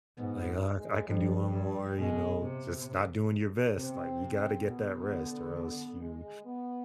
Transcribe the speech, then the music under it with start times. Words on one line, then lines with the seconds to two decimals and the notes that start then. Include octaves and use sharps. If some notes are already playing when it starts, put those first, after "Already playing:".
Like, uh, "I can do one more," you know? Just not doing your best, like, you gotta get that rest or else you
0.18 G#2 B3
0.78 G#3
1.08 F2 G3
1.53 G2
1.98 B2 G#3
2.42 C3
3.76 C3 C4
4.21 C3
4.66 B2 B3
5.11 D3
5.55 B3
6.00 G#3
6.45 B3